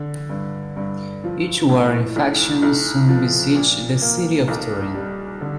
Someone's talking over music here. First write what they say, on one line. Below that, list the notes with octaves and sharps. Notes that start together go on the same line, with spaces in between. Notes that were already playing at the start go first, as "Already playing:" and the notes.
Each warring faction soon besieged the city of Turin.
Already playing: D3
G2
G2
F3
A2
B1
B1
F3
A#2
A#3
B1
G3
D3